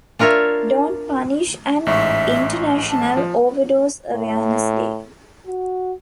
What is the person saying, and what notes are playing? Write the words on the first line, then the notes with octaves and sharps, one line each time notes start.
Don't Punish and International Overdose Awareness Day.
D4 F4 A#4 C#5 E5
A1 G#2 E5 C#6
A5
F3
A2
F#4